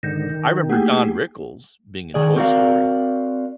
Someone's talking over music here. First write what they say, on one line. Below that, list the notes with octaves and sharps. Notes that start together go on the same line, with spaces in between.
I remember Don Rickles being in Toy Story,
G#2 D3 D#3 G6 A#6
D#3
A3 A#3 G4 G#4
D#3 G#4 D5
C4 F#4 A#4 B4 D5 F5